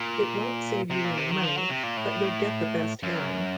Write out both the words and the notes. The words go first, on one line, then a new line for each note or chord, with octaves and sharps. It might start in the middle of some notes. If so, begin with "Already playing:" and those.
It won't save you any money: but you'll get the best herring.
Already playing: A#2
C3
A#2
C3
D#3
F3
F#3
C3
A#2
A2
F#2